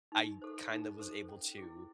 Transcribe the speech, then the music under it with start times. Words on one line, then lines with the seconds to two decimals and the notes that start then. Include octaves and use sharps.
I kinda was able to
0.12 D#4
0.42 A4 C5
0.70 D#4
0.99 A4 C5
1.29 C#4
1.58 E4 G#4